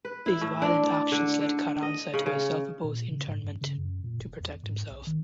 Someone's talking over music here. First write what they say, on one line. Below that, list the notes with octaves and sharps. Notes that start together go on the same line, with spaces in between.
These violent actions led Carranza to a self-imposed internment to protect himself.
B4
E4
A2
D4
D5
D3
D3
D#5
C#3
C#3
A#2
C#3
G#2
G2
C#3
F#2
A#2
F1
E2
G#2
B1
D#3